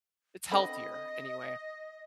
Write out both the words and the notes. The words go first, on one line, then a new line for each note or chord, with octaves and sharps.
It's healthier, anyway.
D3 C4 D#5 B5